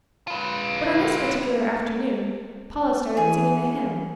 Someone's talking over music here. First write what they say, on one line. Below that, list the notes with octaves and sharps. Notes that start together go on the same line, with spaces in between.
But on this particular afternoon Paula started singing a hymn.
F4 B4
E3 G#4